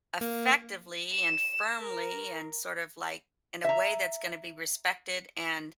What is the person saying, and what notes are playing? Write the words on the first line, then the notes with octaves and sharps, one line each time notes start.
effectively and firmly, and sort of, like, in a way that's gonna be respected, and
A#3
E7
A#4
E5 A#5